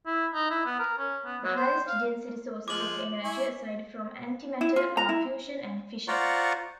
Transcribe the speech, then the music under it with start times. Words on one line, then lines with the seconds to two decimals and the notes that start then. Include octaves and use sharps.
The highest density sources of energy aside from antimatter are fusion and fission.
0.06 E4
0.34 D#4
0.51 E4
0.66 B3
0.79 A#4
0.98 C#4
1.25 B3
1.44 F#3
1.56 C5
1.88 F5
2.68 F3 G#3 F4 D6 F#7
3.24 E4 G#5 C#6
4.61 E4
4.76 F4
4.97 A#5
5.09 E4
6.08 F4 C5 D5 F#5 A#5 C#6